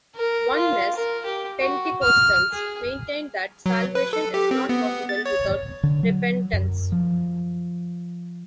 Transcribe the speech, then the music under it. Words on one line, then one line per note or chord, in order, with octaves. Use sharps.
Oneness Pentecostals maintain that salvation is not possible without repentance.
A#4
F4
A#4
G4
F#4
F6
G#4
F#3
B4
A4
G4
C4
B3
A6
C#5
D3
F#3
F#2
F3